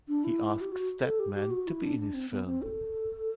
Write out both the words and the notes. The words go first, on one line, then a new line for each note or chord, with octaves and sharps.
He asked Steadman to be in his film.
D4
E4
G4
F#4
A4
G4
G4
F#4
E4
D4
D4
C4
B3
C4
A4